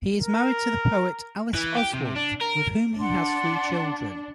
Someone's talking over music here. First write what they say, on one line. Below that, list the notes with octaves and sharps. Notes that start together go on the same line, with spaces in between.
He is married to the poet Alice Oswald, with whom he has three children.
A#4
E3
G4
C3
D4
A#4
D4 F#5 C6